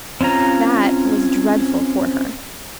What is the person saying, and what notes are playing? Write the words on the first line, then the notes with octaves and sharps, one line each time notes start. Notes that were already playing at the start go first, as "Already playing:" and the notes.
That was dreadful for her.
C4 C#4 F4 A#5